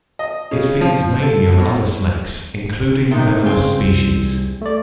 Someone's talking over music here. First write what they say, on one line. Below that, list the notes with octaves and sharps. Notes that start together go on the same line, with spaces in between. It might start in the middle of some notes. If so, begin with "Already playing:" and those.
It feeds mainly on other snakes, including venomous species.
D#5
C#3
F3
A4
B2
C3 D#3 D#4
C#3 G#3 C4
C2
A3 D5